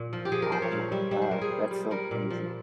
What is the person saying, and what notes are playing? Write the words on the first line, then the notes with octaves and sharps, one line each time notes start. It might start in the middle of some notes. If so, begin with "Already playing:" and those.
Oh my god. That's so crazy.
Already playing: A#2
F3
G4
F3 G#4
A#4
F3 C5
C#5
A#2 F5
G3 E5
G3 E5
C5
G3 A#4
G#4
G3
G3
G3 A#4
A#2
F3